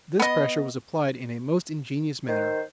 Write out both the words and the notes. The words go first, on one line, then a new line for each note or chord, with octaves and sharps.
This pressure was applied in a most ingenious manner.
B3 D#5
D#3 C5